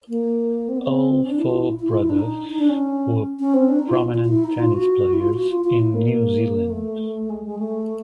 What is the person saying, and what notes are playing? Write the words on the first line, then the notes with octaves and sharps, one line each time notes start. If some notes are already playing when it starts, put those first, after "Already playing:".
All four brothers were prominent tennis players in New Zealand.
A#3
C4
B3
C4
C#4
D4
E4
F4
E4
E4
F4
E4
D4
D#4
D#4
D4
C#4
C#4
C4
D4
D#4
F4
F4
F4
E4
D#4
F4
F#4
E4
F4
F#4
F4
F4
E4
A#3
A3
G#3
G#3
A3